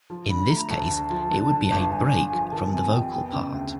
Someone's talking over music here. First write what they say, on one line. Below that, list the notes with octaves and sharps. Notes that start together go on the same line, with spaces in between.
In this case it would be a "break" from the vocal part.
F3
D3 B5
A3 A#5
D2 A5
D3
F3
D3
D3
G1
D3 G#5
D3
F3
D#3 A5
C3 G#5
F2 G5
B3 G5
C#3
D2